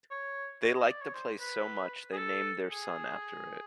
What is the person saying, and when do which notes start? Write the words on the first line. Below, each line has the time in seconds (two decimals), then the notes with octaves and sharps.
They liked the place so much they named their son after it.
0.11 C#5
0.62 C#5
0.75 D#5
0.88 D5
1.01 C#5
1.14 C5
1.40 B4
2.12 G#4
2.17 A4
2.69 G#4